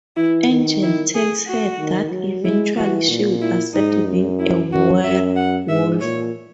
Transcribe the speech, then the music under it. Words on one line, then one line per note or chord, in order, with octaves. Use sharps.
Angel tells her that eventually she will accept being a werewolf.
E3 E4
D#3
E4
G#4
F#4
D#3
F#3
G#3 E4
E3 F#4
A#2
E4
G#2 D#4
F#2
E4
F#2 F#4
F#2 E5
F#5
G#2 E5
A#2 C#5